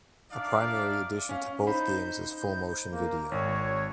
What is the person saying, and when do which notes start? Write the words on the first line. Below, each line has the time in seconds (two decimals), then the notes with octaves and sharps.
A primary addition to both games is full-motion video.
0.31 D4 D#4 D5 E5 F5 D6
1.29 C#4 F5
1.67 D#4 C5 B5 G6
2.92 A#3
3.32 G#1 C#5